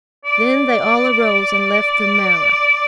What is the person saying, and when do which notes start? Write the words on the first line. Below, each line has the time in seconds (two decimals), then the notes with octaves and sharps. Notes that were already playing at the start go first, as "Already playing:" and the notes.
Then they all arose and left the marah.
0.25 D5